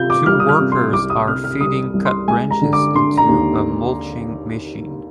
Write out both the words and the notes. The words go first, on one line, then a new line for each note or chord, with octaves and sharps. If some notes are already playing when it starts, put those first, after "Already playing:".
Two workers are feeding cut branches into a mulching machine.
Already playing: C3 F4 G6
D6
G3 F6
D#6
F6
C3
C6
C2 D6
D#6
C3 F6
F6
G3 D#6
C2
C6
G#3 G#5
A#5
D3
D6
D4 C6
A#5
D#2